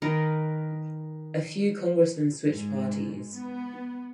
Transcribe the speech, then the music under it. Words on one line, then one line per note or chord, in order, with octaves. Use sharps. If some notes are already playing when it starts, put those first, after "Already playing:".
A few Congressmen switched parties.
D#3 D#4 A#4 B4
G#2
B3